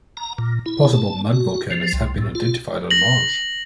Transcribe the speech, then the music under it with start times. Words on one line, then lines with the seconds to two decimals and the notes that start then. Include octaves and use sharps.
Possible mud volcanoes have been identified on Mars.
0.17 A#5
0.38 A#2
0.66 E4
0.93 A5
1.33 F#4
1.71 F3
1.93 C2
2.18 A2
2.35 F4
2.91 A#6 F#7